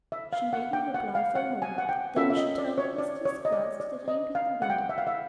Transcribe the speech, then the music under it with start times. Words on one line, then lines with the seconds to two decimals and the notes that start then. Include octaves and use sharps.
She made no reply for a moment; then she turned a listless glance to the rain-beaten window.
0.12 E5
0.33 F5
0.53 F#5
0.73 G5
0.94 F#5
1.15 F5
1.35 F#5
1.62 G#5
1.78 F#5
1.89 G5
2.16 C#4 F4 A4 E5
2.30 E5
2.37 D#5
2.58 D5
2.78 C#5
2.98 D5
3.25 C#5
3.45 D#5
3.52 D5
3.80 D5
4.08 D#5
4.35 F5
4.62 F#5
4.70 G5
4.78 F#5
4.89 E5
4.98 F5
5.07 E5